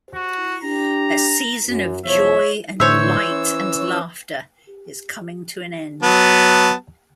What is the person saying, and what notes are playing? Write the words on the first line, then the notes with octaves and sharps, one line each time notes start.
A season of joy and light and laughter is coming to an end.
F#4
D4 G4 A#5
F#2
B1 E2 F3 C#5 E5
A2 D3 E3 C5 C#5 E5 C#6 E6
C#4
F#3 B3 A5